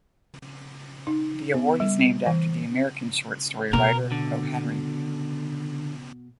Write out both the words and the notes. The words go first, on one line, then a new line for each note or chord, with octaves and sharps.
The award is named after the American short story writer, O. Henry.
D#4
B3
G3
E3
B2 A#4
D3